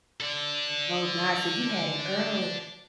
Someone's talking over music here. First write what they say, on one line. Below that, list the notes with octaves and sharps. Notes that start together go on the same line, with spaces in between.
Oh, god. So you had it early.
A4 D5